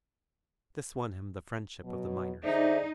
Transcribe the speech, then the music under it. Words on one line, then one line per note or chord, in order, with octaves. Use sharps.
This won him the friendship of the miners.
B2 F#3
D3 D#4 G#4 C5 D5 E5